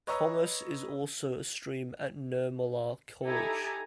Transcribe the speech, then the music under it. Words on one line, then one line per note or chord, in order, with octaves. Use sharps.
Commerce is also a stream at Nirmala College.
B4 C#5 D#5 A#5 C#6 E6
D#4 E4 G4 A4 G#5 A#5